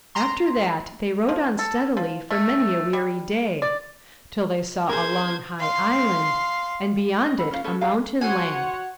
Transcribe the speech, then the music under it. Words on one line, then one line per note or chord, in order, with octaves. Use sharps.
After that they rowed on steadily for many a weary day, till they saw a long high island, and beyond it a mountain land.
A#5 C6
F3
A4
F3
A3
G3
D5
G#4 A#4 C5 G#6
F5 C6
D#5
A4 F#5 B5
C#4 F4 A#4 F5
C#4 A4 B4 C#5
G4 F5 G#5 A#5
F#4 C5 C#5 F#5 G#5